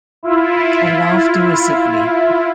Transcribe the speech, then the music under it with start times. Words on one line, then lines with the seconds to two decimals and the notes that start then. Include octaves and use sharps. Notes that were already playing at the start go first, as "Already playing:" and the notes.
I laughed derisively.
0.23 E4 F4